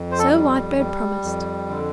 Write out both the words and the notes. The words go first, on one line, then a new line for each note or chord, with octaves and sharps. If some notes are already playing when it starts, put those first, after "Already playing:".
So Whitebird promised.
Already playing: F2
C5
A4
G3
G3
F2
D3